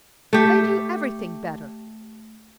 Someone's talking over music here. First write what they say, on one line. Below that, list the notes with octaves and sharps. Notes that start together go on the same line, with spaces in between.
"They do everything better."
A3 G4